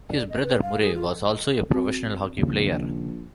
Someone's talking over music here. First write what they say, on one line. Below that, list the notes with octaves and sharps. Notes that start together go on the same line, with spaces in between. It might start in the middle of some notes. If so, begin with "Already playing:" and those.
His brother Murray was also a professional hockey player.
D5
D#5
B4
F5
G#4
F4
C4 F#4
A#1 D#2 C#3